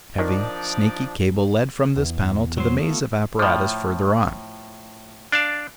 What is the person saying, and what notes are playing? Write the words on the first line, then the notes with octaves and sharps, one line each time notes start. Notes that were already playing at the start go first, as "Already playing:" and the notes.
A heavy, snaky cable led from this panel to the maze of apparatus further on.
D#3 F3 D4 D#4 D5
E2
F#3 C5
A3 B3 F4
A2 F3
D4 D5 F5 A5